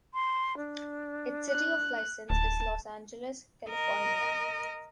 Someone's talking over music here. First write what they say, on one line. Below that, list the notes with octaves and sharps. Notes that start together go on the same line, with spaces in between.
Its city of license is Los Angeles, California.
C6
D4
F#6
D1 A5
A#4 D#5